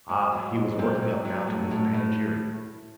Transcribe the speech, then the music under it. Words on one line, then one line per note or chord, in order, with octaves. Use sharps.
Ah! he was working up now to his panegyric!
G#2
F#3
G#2
F#3 C4
F#3
F#3
A2
A2
A2